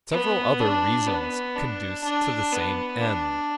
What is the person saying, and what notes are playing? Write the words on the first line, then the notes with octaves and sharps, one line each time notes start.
Several other reasons conduce to the same end.
B3
D4
B3
D4
D4
B3
D4